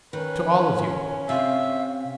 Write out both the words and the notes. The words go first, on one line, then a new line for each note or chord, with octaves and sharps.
To all of you.
D#3 C#4 B4
C3 E5 F5